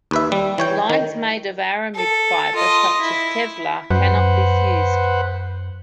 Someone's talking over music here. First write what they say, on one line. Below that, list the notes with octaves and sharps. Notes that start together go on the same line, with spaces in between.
Lines made of aramid fiber such as Kevlar cannot be fused.
D#2 B4 E5
G3
E3 C#5 G5
D#3
A4
F4 D#5
E4
F#2 B4 C5 F#5